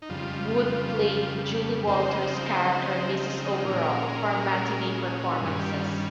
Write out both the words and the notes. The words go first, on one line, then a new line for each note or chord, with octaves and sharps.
Wood played Julie Walters' character Mrs Overall for matinee performances.
D#4
F2 C#3 G3 F4
C#3 F3 G#3 C4 D#4 C5
A#2 G#3 C#4 A#4
G2 D#3 G3 C#4 G#4
G4
F4